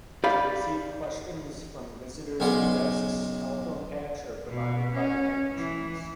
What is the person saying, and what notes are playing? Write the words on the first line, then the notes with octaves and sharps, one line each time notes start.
To receive questions from visitors and guests, telephone patch are provided by the technicians.
G4 D5 F5 B5
B1 C#3 G#3 B3 D5 C6
B2
C#4
E3